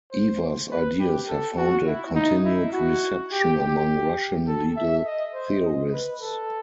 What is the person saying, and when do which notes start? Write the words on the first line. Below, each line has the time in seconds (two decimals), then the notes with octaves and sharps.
Evers' ideas have found a continued reception among Russian legal theorists.
0.12 C5
0.71 B4
1.00 G4
1.29 A4
1.57 F#4
1.86 E4
2.15 D#4
2.45 E4
2.73 F#4
3.32 G4
3.60 G4
4.47 A4
4.77 E5
5.05 D#5
5.34 C5
5.63 D#5
5.92 B4
6.21 A4